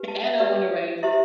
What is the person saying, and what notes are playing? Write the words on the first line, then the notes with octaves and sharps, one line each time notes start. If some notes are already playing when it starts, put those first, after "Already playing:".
A and I wanna raise.
Already playing: D4 G4 B4
A5
E5
D4 G4 B4 D5
E4 G4 C5 E5